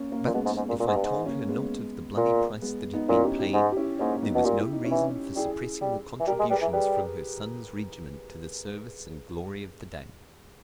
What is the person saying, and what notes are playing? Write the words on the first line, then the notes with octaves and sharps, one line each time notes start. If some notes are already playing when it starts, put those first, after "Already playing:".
But, if I told her not of the bloody price that had been paid, there was no reason for suppressing the contributions from her son's regiment to the service and glory of the day.
Already playing: A#3 C#4
A#3 C#4
A#2
B2 G#3 B3
G#2
G#2
A#2
A#2
G#2
G2
G#2
A#3 C#4
G#3 B3
A#2
G#3 B3
B3 D#4
A#2 C#4 E4
D#4 G4
D#4 G4
G#2
G4
C#4 E4
G#2 A#3 C#4
B3 D#4
B2
A#2 G4
E4
D#4
C#4 E4
E3
G3 E4 G#4
G3
E3
G3 G4 A#4
G#3
G3 G#4 B4
E3
G3 G#4 B4